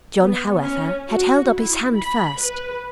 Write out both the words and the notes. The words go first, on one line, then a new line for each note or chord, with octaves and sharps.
John, however, had held up his hand first.
B3
C#4
F#4
E4
B5
B4